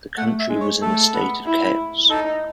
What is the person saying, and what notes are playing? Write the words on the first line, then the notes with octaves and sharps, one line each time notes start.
The country was in a state of chaos.
A3 F#5
E5
G#3
C#5
A3 A4
B3
E4
D#4 A4